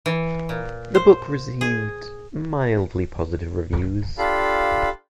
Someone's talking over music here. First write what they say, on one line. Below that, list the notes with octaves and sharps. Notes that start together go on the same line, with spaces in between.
The book received mildly positive reviews.
E3
A#2
C5
G#4
D4 F4 G4 A4 F5 B5